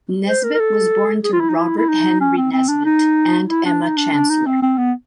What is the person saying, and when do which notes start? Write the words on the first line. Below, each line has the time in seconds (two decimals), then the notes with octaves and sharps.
Nesbitt was born to Robert Henry Nesbitt, and Emma Chancellor.
0.27 C5
0.44 A#4
0.54 A#4
0.60 A4
1.24 G#4
1.33 F4
1.41 E4
1.49 D#4
1.57 E4
1.78 E4
1.89 D#4
2.21 C#4
2.37 C4
2.52 C4
2.68 D4
2.85 D#4
3.49 E4
3.66 D4
3.82 D#4
3.97 D4
4.13 D4
4.30 D#4
4.47 C4
4.62 C4
4.78 B3